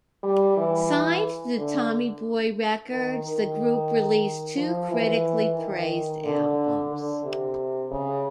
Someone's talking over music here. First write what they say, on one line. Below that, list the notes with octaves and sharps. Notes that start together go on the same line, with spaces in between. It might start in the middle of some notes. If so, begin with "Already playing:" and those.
Signed to Tommy Boy Records, the group released two critically praised albums.
G3
E3
D3
D#3
D#3
F3
E3
D#3
D3
D3
C3
C#3